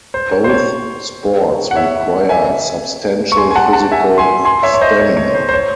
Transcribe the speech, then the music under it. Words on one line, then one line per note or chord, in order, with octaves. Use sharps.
Both sports require substantial physical stamina.
C5
C#5
C5
C#5
F#5
C#5 E5
E5 G#5
C#6
G#5 C6
G#5
F#5 A5
F#5 A5
E5 G#5
G#5 C6
G#5 C6
C#5 E5
C#5
C5 D#5
C#5
C#5
C5
C5
C#5